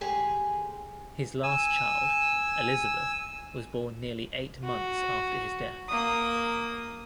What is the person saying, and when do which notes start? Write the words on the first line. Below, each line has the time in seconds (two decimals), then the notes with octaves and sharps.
His last child, Elizabeth was born nearly eight months after his death.
0.01 D2 G#3 G4 G#4 G#5
1.43 G#5 E6
4.65 F#4
5.89 A#3 D#6